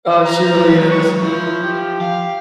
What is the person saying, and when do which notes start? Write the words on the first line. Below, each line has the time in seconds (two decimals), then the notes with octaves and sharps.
Oh, she really is.
0.25 A#5
0.54 F#3 G#3
0.91 C#6
1.23 F3 E4
1.63 G4
2.01 F5